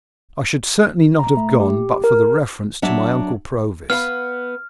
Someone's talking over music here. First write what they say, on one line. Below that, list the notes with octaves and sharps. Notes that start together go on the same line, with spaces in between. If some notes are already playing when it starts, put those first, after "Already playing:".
I should certainly not have gone, but for the reference to my Uncle Provis.
A#5
A3
G4
A#4
F#3 D4 E5
B3 F5 B5 F6